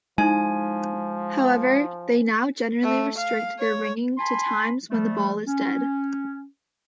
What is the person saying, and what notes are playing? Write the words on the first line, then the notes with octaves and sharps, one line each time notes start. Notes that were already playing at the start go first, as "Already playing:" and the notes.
However, they now generally restrict their ringing to times when the ball is dead.
F3 G#3 D#4 E4 G#5
A3
F5
C#5
G#5 A5 B5 C6
F3 G3 A3
C#4